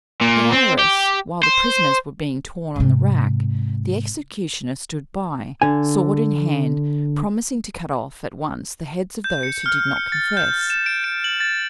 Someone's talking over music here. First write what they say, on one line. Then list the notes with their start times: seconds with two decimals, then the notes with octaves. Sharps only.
At Arras, while the prisoners were being torn on the rack, the executioner stood by, sword in hand, promising to cut off at once the heads of those who did not confess.
0.21 A#2
0.52 C4
0.79 G4
1.43 C5
2.76 G#2 C3
5.62 D3 G#5
9.24 G6
9.43 C#7
9.66 F6
9.97 C#7
10.12 A6
10.37 G6
10.70 E7
10.86 D7
11.04 D7
11.24 F#7
11.40 A6